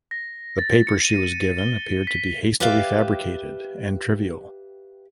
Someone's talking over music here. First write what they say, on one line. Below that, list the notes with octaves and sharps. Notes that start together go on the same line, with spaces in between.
The papers she was given appeared to be hastily fabricated and trivial.
A#6
A6
C#7
D#7
G7
B6
G4 B4 D5 E5 F5 G5